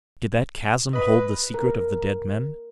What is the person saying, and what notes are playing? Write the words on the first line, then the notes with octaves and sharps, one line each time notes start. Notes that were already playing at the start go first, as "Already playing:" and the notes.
Did that chasm hold the secret of the dead men?
B4 D#5 B5
A#4